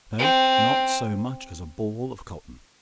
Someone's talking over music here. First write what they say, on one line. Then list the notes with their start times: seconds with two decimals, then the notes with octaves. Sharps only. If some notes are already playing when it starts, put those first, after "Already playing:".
No--not so much as a ball of cotton.
0.19 C4